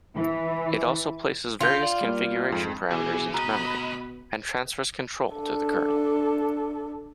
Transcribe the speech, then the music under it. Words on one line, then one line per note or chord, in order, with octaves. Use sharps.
It also places various configuration parameters into memory, and transfers control to the kernel.
E3
D3 F4 G6
D5 F5
G3 A#3
F2 G#2
B2 E3 E4 G#4
D2 B2 B4 D#5 A#5 B5
D4 A4